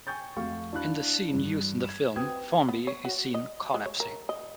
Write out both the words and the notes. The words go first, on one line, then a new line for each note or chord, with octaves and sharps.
In the scene used in the film, Formby is seen collapsing.
G5 G#5 C#6 G6 A6
F2 A3 F#4 F5 C#6
D4 E4 F#4 F5 B5 F#6
G2 E3
G#6 E7
C4 F#4 B4 G5 D#6 G#6
B3
C#5
F#4
D#5
G#3
C#5
A#4
D#5